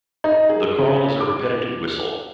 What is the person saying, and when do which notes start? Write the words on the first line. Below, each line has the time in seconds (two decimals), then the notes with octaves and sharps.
The call is a repetitive whistle.
0.24 D#4
0.49 G#4
0.78 C#3
1.21 D6